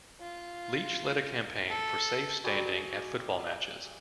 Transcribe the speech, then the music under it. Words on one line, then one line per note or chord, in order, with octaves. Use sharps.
Leech led a campaign for safe standing at football matches.
F4
A4
F#3 G3 G#4